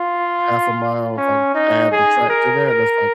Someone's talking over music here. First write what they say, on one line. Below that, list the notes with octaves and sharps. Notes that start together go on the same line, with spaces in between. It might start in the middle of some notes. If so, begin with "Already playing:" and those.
half a mile, if I add the track to that, that's, like
Already playing: F4
C#4
D#4
G#4
A#4
A#4